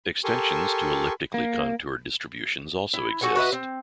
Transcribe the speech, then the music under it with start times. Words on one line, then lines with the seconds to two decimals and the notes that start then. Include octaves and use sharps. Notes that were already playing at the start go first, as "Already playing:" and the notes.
Extensions to elliptically-contoured distributions also exist.
0.24 G4 A4 A#4 G#5 C6 C#6
1.34 A#3
2.94 E4
3.21 F#4 A4 F#5 G#5
3.35 F#4 B4 D#5 E5
3.52 C4